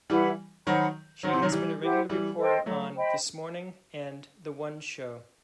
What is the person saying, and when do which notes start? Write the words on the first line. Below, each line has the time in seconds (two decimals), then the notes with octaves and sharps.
She has been a regular reporter on "This Morning" and "The One Show".
0.10 E3 G3 E4 B4 F#5 B5
0.66 D#3 F#3 C5 F#5 B5
1.23 D#3 F#3 C5 F#5 C6
1.33 C3 E3
1.42 D#3 F#3
1.52 E3 G3
1.80 E4 G4 C5 F#5
2.09 E3 G3
2.37 A4 C5 D#5 G5
2.66 F#3 A3
2.95 C5 D#5 G5 B5